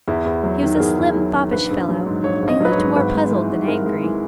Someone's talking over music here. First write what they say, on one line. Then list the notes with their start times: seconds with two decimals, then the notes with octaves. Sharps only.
He was a slim, foppish fellow, and he looked more puzzled than angry.
0.08 E2 E4
0.26 E2
0.44 F#3
0.63 D#3
0.75 A#4
0.80 E2 G#4
0.99 E2
1.15 F#3
1.34 D#3
1.52 A#1 B4
1.71 A#1
1.89 F#3
2.07 G#2
2.23 A#1 C#5
2.42 A#1
2.48 D#5
2.61 F#3 B4
2.72 C#5
2.78 G#2
2.96 G#1 B4
3.15 G#3
3.31 E3
3.50 G#2
3.67 G#1 A#4
3.86 G#3
4.03 E3